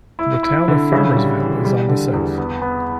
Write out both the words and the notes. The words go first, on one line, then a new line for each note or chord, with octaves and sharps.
The town of Farmersville is on the south.
E4
E4
D3
C#3
G3
E3
G3
D3
E2
B3
B3